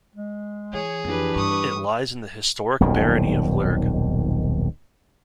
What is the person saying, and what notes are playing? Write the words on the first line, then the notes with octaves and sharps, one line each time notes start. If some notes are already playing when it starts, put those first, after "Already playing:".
It lies in the historic barony of Lurg.
G#3
E3 G#4 C#5
F2 E3 D4 G4 B4
G2 C#6 D#6
D#1 B1 F2 D#3